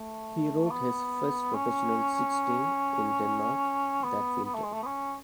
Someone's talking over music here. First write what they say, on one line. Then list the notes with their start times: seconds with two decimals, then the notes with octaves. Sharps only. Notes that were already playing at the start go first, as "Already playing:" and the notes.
He rode his first professional six-day, in Denmark, that winter.
Already playing: A3
0.65 A3
0.71 B3
1.54 C#4
4.04 B3
4.45 B3
4.54 A3
4.64 G#3
4.73 A3
4.83 B3
4.86 C#4